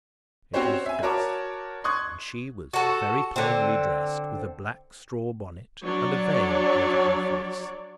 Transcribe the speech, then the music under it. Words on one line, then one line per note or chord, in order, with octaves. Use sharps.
It was dusk, and she was very plainly dressed, with a black straw bonnet, and a veil over her face.
C4 C#4 F#4 G4 C5 C#5
E5 G#5
F#4 A#4 C#5 A5 D6
C6 C#6 D#6 F#6 G#6
F#4 A4
D3 C4
F#3 D4 C#5 D5